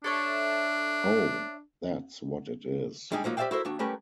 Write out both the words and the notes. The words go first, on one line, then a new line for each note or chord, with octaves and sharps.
Oh, that's what it is.
D4 A4 C#5 E5
G3 G#3 D4 D#4 G4 G#4
F3 F#3 A#3 D#4
G4 C5 D5 E5 F5 G5
E4 F#4 A4 A#4 C5 E5
D#2 D4 F#4
G3 A3 C#4 G4 A#4 B4